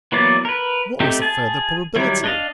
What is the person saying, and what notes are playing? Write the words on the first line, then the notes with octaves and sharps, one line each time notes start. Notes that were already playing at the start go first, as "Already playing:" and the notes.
What was the further probability?
E3 F#3 A#3 B3 D5
A#4 B4
A3 C4 D#4 G4
G#4 A5
D#3 F#3 G3 E4
D4 D#5 F5